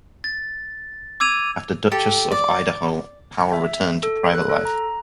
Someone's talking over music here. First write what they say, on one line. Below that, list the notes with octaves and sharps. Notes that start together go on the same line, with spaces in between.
After "Duchess of Idaho", Powell returned to private life.
A6
D6 E6 G#6 D#7 F7
G4 A4
D5
E5
A4
F#6
A4
A#5